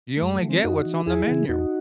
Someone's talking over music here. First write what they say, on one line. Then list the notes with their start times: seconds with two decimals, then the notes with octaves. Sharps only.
You only get what's on the menu.
0.17 A3
0.21 F#2 G#3
0.35 F#3 A3
0.42 E3
0.49 G#3 C4
0.63 F#2 D#4 F#4
0.85 E3
1.06 E2 E4 G#4
1.27 C#3 E3
1.49 E2 D#4 F#4